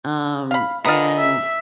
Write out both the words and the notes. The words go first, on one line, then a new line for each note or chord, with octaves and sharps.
um, and,
F5 B5
F4 A#4 B4 D#5 G#5 D#6
E5